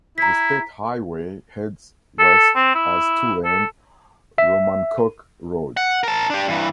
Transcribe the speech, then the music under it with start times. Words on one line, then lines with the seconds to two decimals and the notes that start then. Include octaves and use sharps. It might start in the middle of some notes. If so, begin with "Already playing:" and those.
The state highway heads west as two-lane Romancoke Road.
0.18 E4 A#5 B6
2.19 A4
2.56 C4
2.75 E4
3.44 A4
4.38 E5
5.77 F#5
6.03 A#4 A5
6.30 D4 G4
6.48 G2 E3